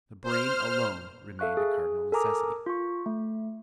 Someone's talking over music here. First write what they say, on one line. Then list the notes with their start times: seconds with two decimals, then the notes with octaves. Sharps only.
The brain alone remained a cardinal necessity.
0.24 C5 F6
1.39 A4 E5 F5 C#6 F#6
1.57 G#4
2.12 A4 A#4 G#5 A#5 D6 D#6
2.66 F4 C#6
3.06 A3